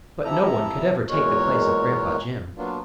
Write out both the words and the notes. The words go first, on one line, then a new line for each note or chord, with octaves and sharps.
But no one could ever take the place of Gran'pa Jim.
C3 F3 E4 A4 A#5
E2 A#2 G#3 F#4 A#4 C#5
F#3 A#3 B3 D4 F4